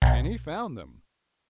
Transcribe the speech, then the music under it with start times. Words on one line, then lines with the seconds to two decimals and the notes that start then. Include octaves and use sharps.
And he found them.
0.02 B1